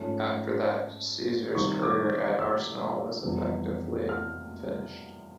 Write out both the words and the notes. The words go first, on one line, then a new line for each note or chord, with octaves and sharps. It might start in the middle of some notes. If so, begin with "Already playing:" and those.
After that, Caesar's career at Arsenal was effectively finished.
Already playing: G#2 F3 A3 C#4
C3 D#3 G3 C4 C#6
D6
E6
F2 C3 E3 G3 B3
F6